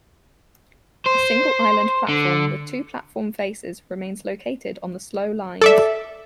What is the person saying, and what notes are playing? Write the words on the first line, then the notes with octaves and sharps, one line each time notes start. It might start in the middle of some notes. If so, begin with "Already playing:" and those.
A single island platform with two platform faces remains located on the slow lines.
C5
D3
A4 D5 E5